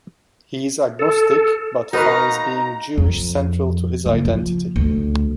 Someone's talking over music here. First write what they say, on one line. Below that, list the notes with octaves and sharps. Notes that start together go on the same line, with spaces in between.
He is agnostic but finds being Jewish central to his identity.
A4
D#4 F#4 A#4 B4 F5 A#5
F2
F#1
F3
D2